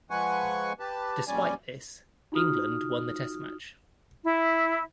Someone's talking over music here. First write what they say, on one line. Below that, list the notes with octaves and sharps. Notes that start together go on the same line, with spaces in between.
Despite this England won the test match.
F3 G#3 B4 F#5 G#5 C#6
G4 B4 A5
F2 A#2 G3 C#4 D5 G#5
D#4 F4 F#4 D#6 F6
E4